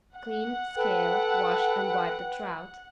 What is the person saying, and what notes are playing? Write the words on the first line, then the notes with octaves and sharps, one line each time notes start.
Clean, scale, wash and wipe the trout.
F#5
A4 B4 G5